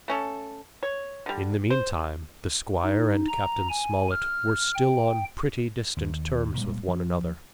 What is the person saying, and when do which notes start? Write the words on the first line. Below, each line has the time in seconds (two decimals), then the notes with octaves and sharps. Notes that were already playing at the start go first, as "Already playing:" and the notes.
In the meantime, the squire and Captain Smollett were still on pretty distant terms with one another.
0.08 A3 C#4 A4
0.83 C#5
1.26 D3 G3
1.70 C5
2.83 D#4
3.28 A#5
3.69 G#5
4.11 F6
4.75 G5
5.97 D#2
6.57 A#2 G3 G#3
6.88 F3